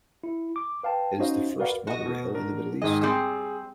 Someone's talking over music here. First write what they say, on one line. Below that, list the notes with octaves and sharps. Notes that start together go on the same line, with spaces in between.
It is the first monorail in the Middle East.
E4
D6
B4 F5 G5 A5
C#4 D#4 F#4 C5 D#5 F5
F#4 A#4 B4 D5 F5 F#5
F#4 D#5
B2
D4 A#4
G#2 D#3 G#4 D#5
G3 C4 G#4